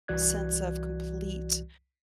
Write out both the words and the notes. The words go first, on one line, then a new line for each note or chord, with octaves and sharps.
sense of complete
C2 E3 F#4 D5 F#6 G#6